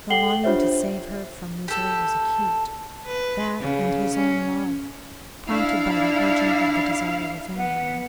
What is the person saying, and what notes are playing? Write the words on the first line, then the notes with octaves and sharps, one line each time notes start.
The longing to save her from misery was acute, that, and his own love, prompted by the urging of the desire within him.
A4 F#5 G5 C7 F#7 G7
D4 F4 G4 C5 C#5 E5
G4 A4
B4
C#3
C#4
D4 E4 F5
B3 F#5